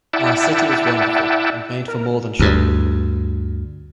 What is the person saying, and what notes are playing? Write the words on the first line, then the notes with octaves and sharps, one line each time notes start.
Our city is wonderful and made for more than shopping.
E4 D5 E5 F#5 G5 A5
A#4
D2 G2